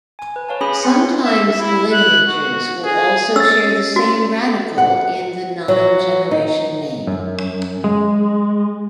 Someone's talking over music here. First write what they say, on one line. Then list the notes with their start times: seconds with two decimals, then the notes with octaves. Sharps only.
Sometimes lineages will also share the same radical in the non-generation name.
0.19 G#5
0.36 B4
0.49 B4 C#5 F5 A5
0.61 C#4 G#4 G#5 B5 D#6
0.83 B3 C4 C6 C#7
1.25 E5
1.59 E4
1.92 F#6
2.28 F#4
2.85 G#4
3.36 C#4 E6 A6
3.96 F#4
4.78 F#5
5.68 F#3
6.31 D#4
7.07 F#2
7.84 G#3